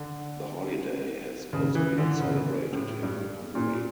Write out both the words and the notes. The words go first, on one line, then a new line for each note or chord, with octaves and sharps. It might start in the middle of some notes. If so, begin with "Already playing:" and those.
The holiday has also been celebrated in Hungary.
Already playing: D3
C#3
E3
D3
C#3
A2
G2
A#2